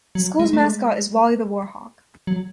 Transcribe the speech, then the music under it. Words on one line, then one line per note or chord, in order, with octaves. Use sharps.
The school's mascot is "Wally the Warhawk".
F#3
G#3
A3
G#3
F#3